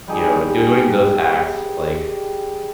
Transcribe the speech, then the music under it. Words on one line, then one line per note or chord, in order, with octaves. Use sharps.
you know, doing those acts, like
G3 D#4 G4 G#4